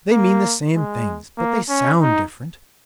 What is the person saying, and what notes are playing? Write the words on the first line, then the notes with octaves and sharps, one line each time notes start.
They mean the same things, but they sound different.
A#3
G#3
A#3
C#4
D#4